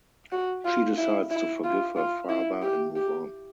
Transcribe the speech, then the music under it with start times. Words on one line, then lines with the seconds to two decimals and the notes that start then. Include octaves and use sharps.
She decides to forgive her father and move on.
0.32 F#4
0.65 F4
0.98 E4
1.31 E4
1.64 F4
1.96 F4
2.29 E4
2.62 G4
2.96 G4